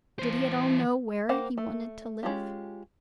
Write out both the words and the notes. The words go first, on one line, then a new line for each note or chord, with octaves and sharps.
Did he at all know where he wanted to live?
E3 C5
A#3 C5 F#5 G5
A3
G#3 C#4 F4 G4